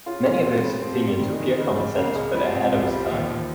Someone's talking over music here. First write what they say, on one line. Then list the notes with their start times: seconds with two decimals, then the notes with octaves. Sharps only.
Many of his opinions appear common sense but ahead of his time.
0.06 C#3 F4
0.25 A#2
0.31 C3
0.44 C4
0.57 C#3
0.64 G3
0.82 F3 C4
1.01 C4
1.08 G3
1.20 D#3
1.33 G#3
1.39 D#3
1.58 C#3 G#3
1.77 G3 G#3
1.96 C#3 A#3
2.15 C#2 G#3
2.34 F3 G3
2.54 C3
2.73 C2
2.91 G3
3.10 D#2
3.30 D#2